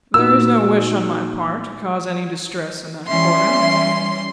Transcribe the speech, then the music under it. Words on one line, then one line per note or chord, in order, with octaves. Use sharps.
'There is no wish on my part to cause any distress in that quarter.
A#2 D#4 F#4 E6
E3 G3 C#4 E5 C6